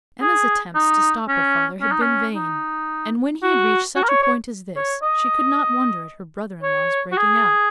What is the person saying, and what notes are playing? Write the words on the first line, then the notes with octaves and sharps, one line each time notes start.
Emma's attempts to stop her father had been vain; and when he had reached such a point as this, she could not wonder at her brother-in-law's breaking out.
G#4
D#4
C#4
C#4
D#4
C#4
D#4
F#4
F#4
A#4
C#5
C#5
C#5
D#5
C#5
F#4
G#4